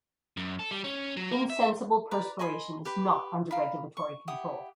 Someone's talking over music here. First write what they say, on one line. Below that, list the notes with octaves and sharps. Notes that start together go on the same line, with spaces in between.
Insensible perspiration is not under regulatory control.
F#2
A4
G3
C#4
F#3
A#3
E5
B4 D5 A#5
D#5 G#5 B5 C6
G4 B4 B5
F5 A#5 B5
C#6
E4 G4 F#5 D#6